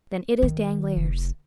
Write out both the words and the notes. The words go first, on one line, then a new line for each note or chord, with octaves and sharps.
"Then it is Danglars."
D#3
F1